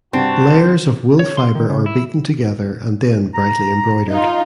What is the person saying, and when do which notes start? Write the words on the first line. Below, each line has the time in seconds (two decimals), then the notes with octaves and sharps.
Layers of wool fibre are beaten together and then brightly embroidered.
0.13 G2 C3 C4 D4 F#4 A5
1.19 C#5
1.37 C6
1.55 D#3
1.70 C#3
1.86 E4
3.34 A#5
4.09 D#4 F4